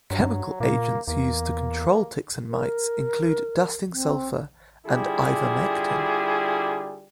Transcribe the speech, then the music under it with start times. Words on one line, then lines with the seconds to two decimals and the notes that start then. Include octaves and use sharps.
Chemical agents used to control ticks and mites include dusting sulfur and ivermectin.
0.11 G2 F#3
0.60 A#2 A#3
1.08 E2 A#3
2.48 A#4
3.91 C4
4.86 D3 G3 E4 F4 G#4